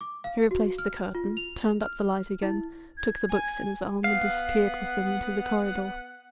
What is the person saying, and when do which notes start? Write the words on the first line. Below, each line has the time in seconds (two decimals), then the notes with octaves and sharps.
He replaced the curtain, turned up the light again, took the books in his arms and disappeared with them into the corridor.
0.01 D6
0.24 F5
0.51 F#4
0.78 F6
1.15 F4
1.37 F7
1.82 F6
2.42 E4
2.98 G#6
3.29 G#5
4.04 B3 F5 F#5